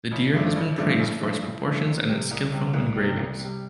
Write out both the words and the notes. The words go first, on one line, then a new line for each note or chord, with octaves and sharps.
The deer has been praised for its proportions and its skillful engravings.
A1
G2 F3 A3 D4
A1
G2 F3 A3 D4
A1
G2 F3 A3 D4
A1
G2 F3 A3 D4
C2
C3 G3
C2
C3 G3
C2
C3 G3
C2
C3
G3